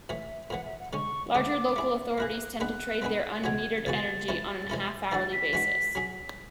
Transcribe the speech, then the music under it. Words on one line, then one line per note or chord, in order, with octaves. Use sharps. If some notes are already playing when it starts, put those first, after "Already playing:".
Larger local authorities tend to trade their unmetered energy on a half-hourly basis.
A2 E3 A3 E5
A2 E3 A3 F#5
E5
F#5
D3 G#3 C#4 C#6
D3 G#3 C#4 D6
A3 E4 G#4
A3 E4 G#4 F#6
G#3 B3 D4 G#4 B4 F#6
G#3 B3 D4 G#4 B4
C#3 E3 G#3 B3 F#4 G#6
C#3 E3 G#3 B3 F#4 A6
E3 G#3 C#4 E4 A4
E3 G#3 C#4 E4 A4
E3 G#3 D4 F#4 A6
B6
E3 G#3 D4 F#4
F#3 C#4 G#4